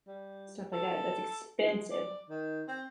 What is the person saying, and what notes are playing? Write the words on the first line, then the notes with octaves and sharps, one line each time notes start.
stuff like that, that's expensive.
G3
A4
G#3
D5
D#3
C4